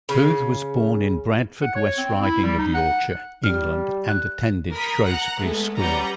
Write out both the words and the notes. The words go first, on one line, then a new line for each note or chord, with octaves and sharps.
Booth was born in Bradford, West Riding of Yorkshire, England and attended Shrewsbury School.
C#3
F#5
C#5
C4
E4
G3
D#4
F#5
G3 F6
F#6
A#4 B5 D#6
F#5 A#5 F#6
G#3 A3 B3
G3 C#4 B4 F#5 A#5 G6